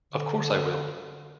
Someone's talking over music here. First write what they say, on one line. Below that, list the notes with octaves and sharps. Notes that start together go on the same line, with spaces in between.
Of course I will!
D3